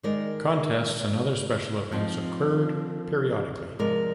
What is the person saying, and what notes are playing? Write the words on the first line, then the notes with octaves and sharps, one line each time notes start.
Contests and other special events occurred periodically.
D#3 G#3 D#4 A#4 D5
F3 C4 D#4
C3 F3 G#3 A#4 D5